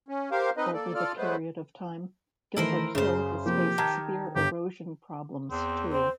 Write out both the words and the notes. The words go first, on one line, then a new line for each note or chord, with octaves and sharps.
Over the period of time, Gilbert Hill has faced severe erosion problems too.
C#4
G4 A#4 C5 F5
C4 D#4 B4 D#5
A#3 A4 D5
F4 A4 D5 F6
F#3 G#3 A3 B3 B4 C5
D#3 E3 A3 E4 A#4 C5
F#2 C#3 C5
C3 F3 A#3 G4
D#3 A5 A#5 G#6
G1 G4
E2 C4
C4 C5